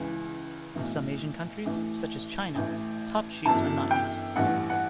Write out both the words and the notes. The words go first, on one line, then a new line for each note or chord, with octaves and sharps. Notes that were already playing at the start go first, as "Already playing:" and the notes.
In some Asian countries, such as China, top sheets are not used.
Already playing: C#2 C#3 E3
B1 A2 E3
A1 A2 E3
A1 A2 E3
G1 F#2 E3 A5
G5
A1 G2 E3 F#5
F#5